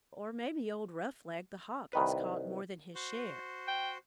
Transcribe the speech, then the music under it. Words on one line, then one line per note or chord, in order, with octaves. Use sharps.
Or maybe old Rough-leg, the Hawk, has caught more than his share.
C2 D#3 B4
F#4 C5
G5